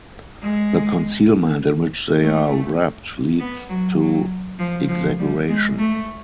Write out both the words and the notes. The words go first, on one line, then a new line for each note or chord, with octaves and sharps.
The concealment in which they are wrapped leads to exaggeration.
G#3
A3
B3
F#3
F#3
F3
F3
G3
G#3
A3